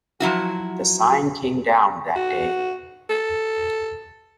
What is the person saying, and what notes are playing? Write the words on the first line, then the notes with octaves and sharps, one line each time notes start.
The sign came down that day.
F3 F#3 E4 F#4
F#4
A4